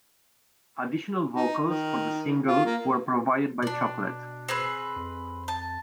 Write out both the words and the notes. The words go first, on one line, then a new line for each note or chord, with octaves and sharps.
Additional vocals for the single were provided by Chocolette.
D#4
D#3
F4
A#3
B2 D4 D5
C4 G#4 B4
F2
A5